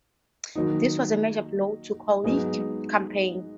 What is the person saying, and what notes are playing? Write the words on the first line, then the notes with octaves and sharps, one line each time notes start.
This was a major blow to Colley's campaign.
D#3 F#3 A#3 D#4 F#4
G#2 F#3 B3 D#4 G#4